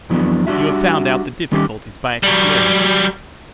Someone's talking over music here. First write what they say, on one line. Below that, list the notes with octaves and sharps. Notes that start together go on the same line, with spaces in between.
'You have found out the difficulties by experience.'
F2 E3 F#3 B3 D4
G3 D4 F#4 E5
D#3 G3 C#4 G4
F#3 G3